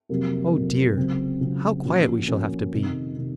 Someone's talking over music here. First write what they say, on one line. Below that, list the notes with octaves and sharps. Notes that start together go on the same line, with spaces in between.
Oh dear, how quiet we shall have to be!
F2 C3 F#3 A#3
F2 C3 F#3 A#3
C#2 C#3 F#3 C4
C#2 C#3 F#3 C4
A#2 F3 A#3 C#4 F#4
A#2 F3 A#3 C#4 F#4
F2 C3 D#3
C3 D#3